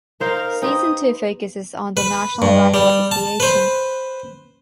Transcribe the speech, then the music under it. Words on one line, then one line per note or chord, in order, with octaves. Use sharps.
Season two focuses on the National Rifle Association.
D#4 A#4 C5 F5
D#4 G4 B4 C5 D#6
B4
G2
G3
A5
B4 C5